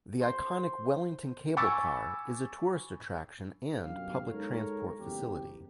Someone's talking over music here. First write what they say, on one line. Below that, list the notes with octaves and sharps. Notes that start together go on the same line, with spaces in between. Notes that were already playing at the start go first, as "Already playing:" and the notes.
The iconic Wellington Cable Car is a tourist attraction and public transport facility.
C5
G#5 B5 C#6 D6 E6 A6
G1 F#2 B2 G4 F5
G#3 D#4 A4 A#4 C#5
F#1 E2 G4